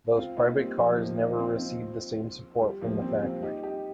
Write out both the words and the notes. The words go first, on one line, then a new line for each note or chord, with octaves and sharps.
Those private cars never received the same support from the factory.
C4 F4
A#3 D#4
G3 C4
F3 A#3
F3 A#3
A#3 D#4
C4 F4
C4 F4
G3
F3 A#3
G3 C4
C4 F4
D#4 G4
D#4 G4